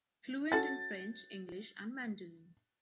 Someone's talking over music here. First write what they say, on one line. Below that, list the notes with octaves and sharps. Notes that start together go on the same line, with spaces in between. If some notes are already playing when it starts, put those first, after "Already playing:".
Fluent in French, English and Mandarin.
C#4 F#4 A4 A6